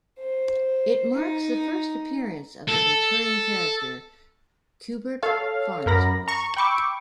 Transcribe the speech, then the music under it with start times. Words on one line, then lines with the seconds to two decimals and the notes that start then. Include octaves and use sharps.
It marks the first appearance of the recurring character Cubert Farnsworth.
0.18 C5
1.13 D#4
2.68 A4
5.23 A4 C#5 F5
5.86 F#2 A#4 B5 A#6
6.28 A#5 C#6
6.57 G5 B5 C#6 D6 E6